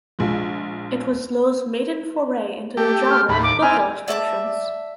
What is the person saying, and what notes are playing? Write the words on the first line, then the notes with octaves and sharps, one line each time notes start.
It was Loh's maiden foray into the genre of book illustrations.
A#1 F3 G#3
A3 G4
F6
D#2 A2 B5
D6
C4 E4 G#5 F6
D5 E5 A5 D6